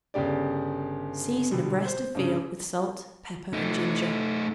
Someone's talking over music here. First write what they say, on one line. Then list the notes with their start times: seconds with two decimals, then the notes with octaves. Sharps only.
Season a breast of veal with salt, pepper and ginger.
0.14 G1 C#3 G4 D5
1.51 B2 D3 G3
1.85 C5
2.15 G2 C#3
3.53 A3 D#4